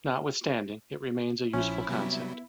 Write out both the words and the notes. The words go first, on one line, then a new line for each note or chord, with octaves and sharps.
Notwithstanding, it remains a useful concept.
A#1 F3 C#4 E4
C3 F#3 G3 B3